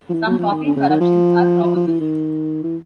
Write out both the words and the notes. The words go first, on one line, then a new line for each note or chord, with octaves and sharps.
Some copying corruptions are probable.
F3
E3
F#3
F3
D#3
D3
C#3
D#3
F3
F3
F3
E3
D#3
E3